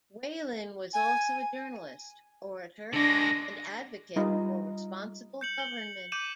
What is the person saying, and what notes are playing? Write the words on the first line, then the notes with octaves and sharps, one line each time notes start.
Whelan was also a journalist, orator and advocate for responsible government.
G#5
D3 G#3 D4 A#6
G3 D#4 F4
G6 C#7 F#7
G7
D6 G6 D#7 E7 F#7